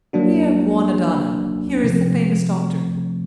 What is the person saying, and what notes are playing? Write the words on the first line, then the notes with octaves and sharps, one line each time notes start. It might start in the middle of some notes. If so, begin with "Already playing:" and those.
Here, buona donna! here is the famous doctor.
F#3 A#3 D4 F#4
C3 F3 A3 C4